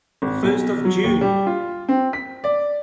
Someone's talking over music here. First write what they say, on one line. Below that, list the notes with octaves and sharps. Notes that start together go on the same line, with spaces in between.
The first of June!
G#1
B1
F#3
D#2
G3
F4
C4
B6
D5